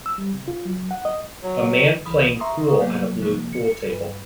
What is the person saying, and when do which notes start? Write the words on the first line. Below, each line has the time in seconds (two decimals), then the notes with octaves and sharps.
A man playing pool on a blue pool table.
0.06 E6
0.18 G3
0.34 C3
0.48 F4
0.65 F#3
0.91 F#5
1.05 D#5
1.43 F#3
2.05 C2 E3 B5 D#6
2.40 E5 A#5 C6 C#6 D#6
2.80 C3 F#3 A#3 B3
3.22 C3 F3 A#3
3.53 C#7
3.90 G2 B4